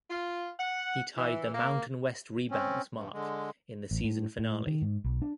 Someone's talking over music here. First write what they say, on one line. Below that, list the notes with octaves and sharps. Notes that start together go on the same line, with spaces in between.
He tied the Mountain West rebounds mark in the season finale.
F4
F#5
E3
A#3
C4 C#4
G2
D3 G#3
A1
A2
A2
D#3
G#2
B1
D4